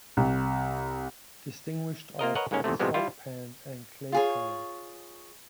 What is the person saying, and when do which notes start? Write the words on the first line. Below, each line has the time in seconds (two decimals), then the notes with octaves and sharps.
Distinguished are "salt pans" and "clay pans".
0.17 C2
2.19 A#3 F4 A#4 D#5
2.35 A#4 B4 C#5 D#5 F#5
2.51 G1 G#2 G#3 A#3 C#4
2.64 E2 G#2 C3 A3
2.80 A2 C3 F3 G3 G#3 B3
2.94 G3 E4 F4
4.12 F4 G#4 C#5